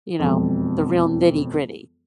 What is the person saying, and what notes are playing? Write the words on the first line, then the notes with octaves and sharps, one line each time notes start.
you know, the real nitty-gritty?
E1 F2